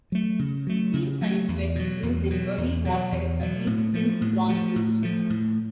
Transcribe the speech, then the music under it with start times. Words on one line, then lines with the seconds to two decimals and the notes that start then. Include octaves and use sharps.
Field signs were used in early warfare at least since the Bronze Age.
0.12 F#3 A3
0.39 C#3
0.67 F#3 A3
0.94 C#3
1.21 F#3 A3
1.48 E2
1.75 B2 F#3
2.03 E2
2.30 B2 F#3
2.58 E2
2.85 B2 F#3
3.12 E2
3.39 B2 F#3
3.67 A2
3.94 F3 A3
4.21 A2
4.49 F3 A3
4.76 A2
5.03 F3 A3
5.30 A2